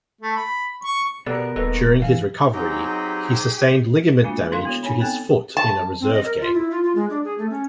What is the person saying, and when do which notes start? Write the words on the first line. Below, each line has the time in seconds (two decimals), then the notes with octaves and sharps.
During his recovery, he sustained ligament damage to his foot in a reserve game.
0.21 A3
0.36 B5
0.83 C#6
1.26 B2 B3 G4 A4 A#4 D5
1.56 D#1 A4 B4 D#5
2.02 E3 F5
2.53 F#3 C4 D#4 G4 G#4 A#5
4.24 G#3 A#3 D4 F4 F#4
4.52 D3 D4 E4 A4 F5 C6
4.65 B3 F#4 C#5
4.83 D#4 C#5 G#5 B5
5.00 B3 C4 A4 G5 G#5
5.57 A5
6.00 C4
6.13 D#5
6.25 A#4
6.41 F4
6.54 E4
6.71 F4
6.84 F4
6.95 G#3
7.10 D4
7.24 G#4
7.38 A3
7.50 C#4